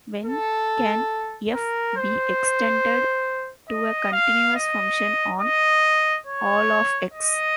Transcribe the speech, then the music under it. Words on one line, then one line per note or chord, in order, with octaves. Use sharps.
When can "f" be extended to a continuous function on all of "X"?
A4
A#4
C5
D#5
F5
D#5
D#5
C#5
D#5